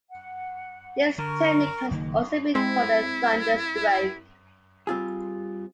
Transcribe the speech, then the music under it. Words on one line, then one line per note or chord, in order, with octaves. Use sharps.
This technique has also been called a "thunder stroke".
F#5
D3 A#4 C#6
F#1 D#3 A#3 D#4
G#3 C4 E4
G3 C4 F4 G#4